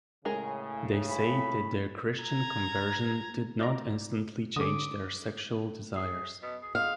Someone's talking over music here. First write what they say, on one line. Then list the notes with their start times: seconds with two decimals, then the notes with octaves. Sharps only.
They say that their Christian conversion did not instantly change their sexual desires.
0.25 A2 C#3 G#3 G#4 A#4
1.10 B5
2.18 A#5 G#6
3.59 D#4 D5 A#5
4.56 D3 A3 C#4 D6 D#6
5.96 G#4
6.42 B2
6.62 G#4
6.75 G#3 F5